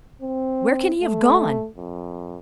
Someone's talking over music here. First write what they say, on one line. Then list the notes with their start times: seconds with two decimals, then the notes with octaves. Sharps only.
Where can he have gone?
0.22 C4
1.02 A3
1.77 F2